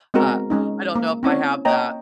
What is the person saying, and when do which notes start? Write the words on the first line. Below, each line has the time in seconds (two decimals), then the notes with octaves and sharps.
uh, I don't know if I have that
0.14 G#3 B3 C4 F#4 A#4
0.50 G#3 C#4 D#4
0.95 A#3
1.23 C4 C#4 E4 C#5
1.65 A#3 C#5 D#5 G5 A#5